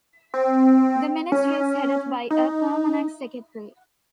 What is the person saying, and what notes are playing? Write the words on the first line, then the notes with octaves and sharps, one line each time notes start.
The Ministry is headed by a Permanent Secretary.
C4
C#4
D#4